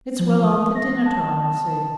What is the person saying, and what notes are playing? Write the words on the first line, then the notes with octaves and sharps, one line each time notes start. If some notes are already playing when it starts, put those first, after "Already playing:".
It's well on to dinner-time, I see.'
F3
D#6
A#6
A5